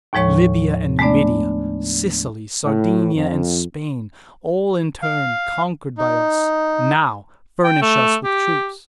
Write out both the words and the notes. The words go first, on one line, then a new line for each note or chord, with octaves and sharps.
Libya and Numidia, Sicily, Sardinia, and Spain, all in turn conquered by us, now furnish us with troops.
D#2 A2 F3 G#3 C#5 C#6
G#3 A3 B3 D4 D5
A2
F2
F5
D#4
G5
A3
G4